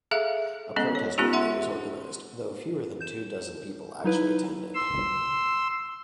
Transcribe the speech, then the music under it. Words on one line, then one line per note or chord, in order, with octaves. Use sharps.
A protest rally was organized, though fewer than two dozen people actually attended.
G#4 A4 E5 F5
G#3 B3 C#4 A4 D#5
C#5
G#3 B3 C#4 D#4 F4 G4
E5 F#5 C6
G6 E7
F#3 D#4 E4 B4
C6 E6